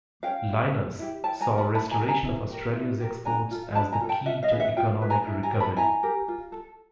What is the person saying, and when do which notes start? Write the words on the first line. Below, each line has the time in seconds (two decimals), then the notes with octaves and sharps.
Lyons saw restoration of Australia's exports as the key to economic recovery.
0.23 C#4 F5 G5
0.49 E4 G4
0.74 C#4
0.99 E4 G4
1.24 E4 G5 A5
1.40 G#5 A#5
1.50 G4
1.54 A#4 A5 B5
1.74 E4 A5 B5
1.91 G#5 A#5
2.00 G4 A#4
2.08 G#5 A#5
2.26 E4
2.50 G4 A#4
2.75 E4
3.00 G4 A#4
3.25 D4 G#5 A#5
3.51 F4 A4
3.75 D4 A5 B5
3.92 G#5 A#5
4.01 F4 A4
4.09 G5 A5
4.26 F4 E5 F#5
4.43 D#5 F5
4.51 G#4 B4
4.60 E5 F#5
4.77 F4 F5 G5
5.02 G#4 B4
5.10 G#5 A#5
5.27 E4
5.43 G#5 A#5
5.52 G4
5.55 A#4
5.60 A5 B5
5.77 E4 G#5 A#5
6.03 G4 A#4
6.28 F4
6.52 A4